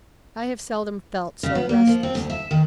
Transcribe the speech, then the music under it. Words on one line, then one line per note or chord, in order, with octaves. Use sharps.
I have seldom felt so restless.
C#3
B3
A#3
F3
C4
D2
E5
D#3